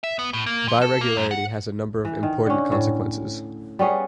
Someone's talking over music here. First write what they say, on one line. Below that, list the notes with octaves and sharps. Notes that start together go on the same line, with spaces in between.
Biregularity has a number of important consequences.
E5
B3
A2
A#3
F3
A4
A#3
F#2
F#5
E3
D#3
D3 C#4
A2
G3 B3 C#4 G#4